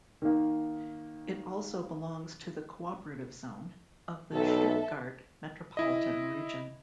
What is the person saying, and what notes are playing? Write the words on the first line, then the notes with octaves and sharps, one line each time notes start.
It also belongs to the "Cooperative Zone" of the Stuttgart Metropolitan Region.
D#3 A#3
B1 A4 E5
E4 D#5